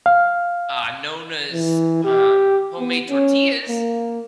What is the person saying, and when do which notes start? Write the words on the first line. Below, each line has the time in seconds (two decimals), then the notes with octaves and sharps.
uh, Nona's, um, homemade tortillas.
0.06 F5
1.52 E3
2.04 G4
2.79 B3
3.10 C#4
3.68 A#3